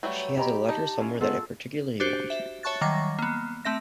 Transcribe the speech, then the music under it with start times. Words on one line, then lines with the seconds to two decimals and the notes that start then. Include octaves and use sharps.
She has a letter somewhere that I particularly want.
0.03 F#3 G3 A3 B4 C#5
0.37 G4 C#5 D#5 A#5 B5
0.69 D#4 A5
1.00 C#4 E4 F4
1.21 G#3 B3 F4 G#4 A4 E6
2.00 D4 F#4 G4 C5
2.30 E5
2.63 C#5 E5 A5 C#6 F#6 A6
2.81 D#3 F#3 G3 C#6 D6 A#6
3.19 A#3 B3
3.65 A3 C4 E5 A#6